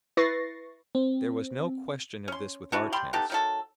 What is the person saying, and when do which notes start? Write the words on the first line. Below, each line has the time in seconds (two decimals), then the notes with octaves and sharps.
There was no question of this with our tents.
0.17 E4 B4 C#6 A6 A#6 C7
0.95 C4
2.28 C#4 C6
2.72 E3 D4 F#4
2.93 G3 G4 B5 C6
3.13 B3 D#4 G4 A4
3.30 D#3 F#3 A4